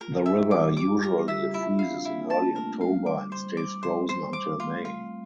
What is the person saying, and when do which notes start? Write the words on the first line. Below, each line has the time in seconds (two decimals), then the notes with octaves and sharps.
The river usually freezes in early October and stays frozen until May.
0.01 F4 A#4
0.26 E5
0.38 G3 G4
0.51 D6
0.77 F4 D6
1.03 A#4
1.15 G3 G4
1.28 E5
1.54 E4 F4
1.73 D4
1.79 F5
1.91 C4
2.05 E4
2.10 A#3
2.29 A#3 A5
2.55 A3 A#4
2.81 G3 F5
3.06 G3 D6
3.32 C5
3.57 D6
3.83 C5
4.09 C5
4.33 D6
4.60 A3 F4
4.85 F4
4.98 C4